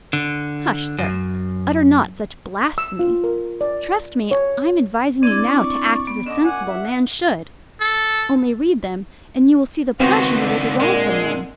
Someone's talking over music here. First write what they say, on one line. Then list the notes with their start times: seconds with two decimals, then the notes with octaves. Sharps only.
Hush, sir; utter not such blasphemy; trust me I am advising you now to act as a sensible man should; only read them, and you will see the pleasure you will derive from them.
0.13 D3
0.98 F#2
2.78 E6
2.99 F4
3.24 A#4
3.61 D5
4.31 C#5
5.23 C4 D4 E4 D5 G#6
5.47 C#6
6.07 B3
6.26 D3 C#4 D#5 D6
6.43 A#2 F#5 G#5
6.67 E5
7.80 A4
10.00 C#2 D#3 B3 C4 F#4 C5 F5
10.42 D3
10.80 A#2 G#3